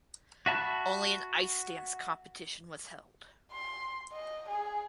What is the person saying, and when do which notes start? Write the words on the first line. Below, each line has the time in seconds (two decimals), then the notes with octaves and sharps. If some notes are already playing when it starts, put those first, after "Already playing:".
Only an ice dance competition was held.
0.46 F#4 E5 A5 B5 F#6
3.52 C6
4.12 D#5
4.49 G#4